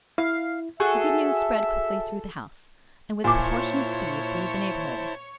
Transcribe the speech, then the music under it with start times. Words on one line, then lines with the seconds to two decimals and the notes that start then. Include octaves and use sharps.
The good news spread quickly through the house, and with proportionate speed through the neighbourhood.
0.18 E4 F5
0.80 F#4 G#4 A4 E5 G#5
3.24 A#2 E4 C5 C#5 G#5 A5 D6